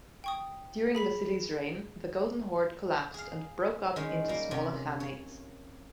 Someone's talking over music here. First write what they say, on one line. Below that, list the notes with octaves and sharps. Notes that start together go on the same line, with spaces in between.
During Vasily's reign the Golden Horde collapsed and broke up into smaller Khanates.
G5 C#6 D#6
G#4 B5 B6
G#4 F5
D#3 G#3 C#4
G3 A#3
C3 C#4
C#5